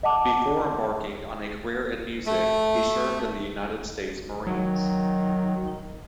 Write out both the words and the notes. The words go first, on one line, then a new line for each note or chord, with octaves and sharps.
Before embarking on a career in music, he served in the United States Marines.
D#5 F#5 A5 D6
A3
D#3 F#3